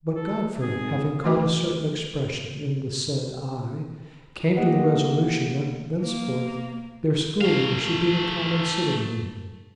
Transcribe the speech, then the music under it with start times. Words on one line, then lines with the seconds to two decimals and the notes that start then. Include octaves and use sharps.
But Godfrey, having caught a certain expression in the said eye, came to the resolution that thenceforth their schoolroom should be the common sitting-room.
0.16 A4
0.62 G#1 G#4
1.24 E3 A3 F#4 B4 D#5 D6
4.57 A3 A#3 G4 D#5 F#5
6.02 A#3
7.41 A3 F5